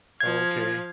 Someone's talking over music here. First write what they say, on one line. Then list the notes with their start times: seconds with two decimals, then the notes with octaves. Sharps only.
Oh, okay.
0.20 F3 F5 G#6